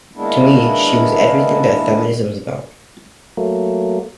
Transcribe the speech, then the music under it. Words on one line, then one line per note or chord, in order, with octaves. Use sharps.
To me, she was everything that feminism's about.
D#3 G#3 A#3 B3 D4 E4
D#2 A#2 D#3
F#3 A3 A#3